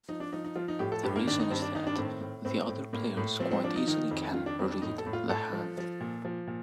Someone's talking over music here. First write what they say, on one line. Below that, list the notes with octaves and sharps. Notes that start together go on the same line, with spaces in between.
The reason is that the other players quite easily can "read" the hand.
F3 D#4
D4
F3 D#4
D#4
F3 F4
D#4
A2 G4
A4
G2 G4
A#3
D#3 D4
D#4
G2 C4
D4
D#3 D#4
D4
A2 C4
A2
A2 C4
A2
A2 A#3
A2
F3 C4
C4
F3 D4
D#4
D#3 D#4
F2
D#3 F4
D4
F2 C4
D4
A2 D#4
A4
A2
F4
A2 A4
F3
F3
A#2
F3
A#2